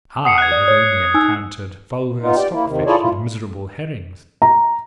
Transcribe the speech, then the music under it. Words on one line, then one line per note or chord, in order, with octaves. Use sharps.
I have only encountered vulgar stockfish and miserable herrings.
F#5 D#6 C7 C#7
F#6 G#6
D5
C#5
D#4 G#5 E6
B3 D#4 F4
G4 D5 G5
A#3 E4
D#2 C3 D#3
E4 F4 G#4 A4 C#5 D5
G#2 E3 E4 F4
A#5